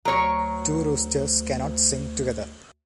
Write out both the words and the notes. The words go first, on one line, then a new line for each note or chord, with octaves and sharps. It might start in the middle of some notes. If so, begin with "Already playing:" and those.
Two roosters cannot sing together.
D2 F#3 A#4 C#5 C#6